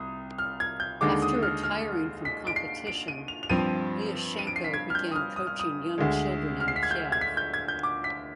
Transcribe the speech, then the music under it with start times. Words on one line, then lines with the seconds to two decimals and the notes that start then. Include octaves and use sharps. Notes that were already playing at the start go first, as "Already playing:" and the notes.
After retiring from competition, Liashenko began coaching young children in Kiev.
Already playing: C2 D#6
0.38 F6
0.60 G#6
0.80 G6
1.01 D#2 D3 G#3 D6
1.22 D#6
1.43 F6
1.63 F6
2.25 B6
2.47 D7
2.56 C7
2.87 D7
3.08 D#7
3.28 F7
3.43 F7
3.49 G2 F3 C4 D#7
4.39 D#7
4.47 D7
4.56 C7
4.64 B6
4.74 G#6
4.90 F6
4.95 G6
5.12 D#6
5.16 F6
5.36 D#6
5.47 F6
5.60 D#6
5.98 D2 D3 G#3
6.60 F6
6.68 C7
6.76 B6
6.83 G#6
6.91 G6
7.12 G#6
7.21 B6
7.37 G6
7.54 G#6
7.68 G6
7.83 D6
8.04 B6